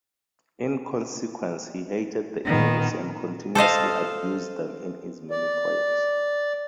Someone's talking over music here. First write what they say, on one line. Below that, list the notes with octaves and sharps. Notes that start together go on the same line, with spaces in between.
In consequence he hated the English and continuously abused them in his many poems.
A#2 D#3 B3
A4 C5 D#5 F5
D5